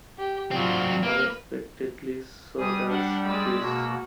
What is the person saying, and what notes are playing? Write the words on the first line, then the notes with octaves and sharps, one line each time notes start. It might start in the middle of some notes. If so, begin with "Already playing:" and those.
Unexpectedly, so does Chris.
G4
F#3 C4 F4 D5
A#3 B4
G3 G#4 D#6
D4 F#5
G#3 D5 B5 E6
B2 A#3 F#4